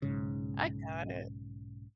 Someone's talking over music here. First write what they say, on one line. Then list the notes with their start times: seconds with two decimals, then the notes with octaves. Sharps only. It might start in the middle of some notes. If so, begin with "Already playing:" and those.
I got it.
0.02 B1 G#2 C#3